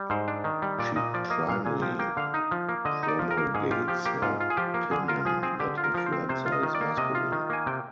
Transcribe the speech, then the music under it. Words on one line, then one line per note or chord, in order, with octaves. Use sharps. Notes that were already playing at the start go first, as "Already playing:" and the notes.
She primly promulgates her opinion that influenza is masculine.
Already playing: G3
G#2 C5
D4
D#3
G3
A#2 D5
A#2 D#5
F3 D5
A#3 D#5
A#2 F5
A#2 G#5
F3 G5
A#3 G5
D3 F5
D#4
F3
A#3
D3 D#5
D#4
D5
F3
A#4
A#3
G#2 G#4
F4 G4
F3 G4
A#3 G4
G#2 F4
F4
G#4
F3 G4
A#3
D3 G#4
F4 A#4
F3 G#4
C4 G#4
D3 G4
F4
A#4
F3 A#4
C5
C4
C3 C5
F4
D#5
D#3
D5
A#3
C3 D#5
F4
D#3
A#3 G#5
C3 G5